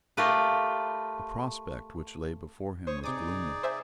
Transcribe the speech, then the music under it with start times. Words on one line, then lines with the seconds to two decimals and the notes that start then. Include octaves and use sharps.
The prospect which lay before him was gloomy.
0.17 A3 F4 G4 A#4 B4
2.87 C5 C#5 C#6 D#6
3.04 C3 D#4 G#4 D5 D6 D#6
3.63 C5 E5 G#5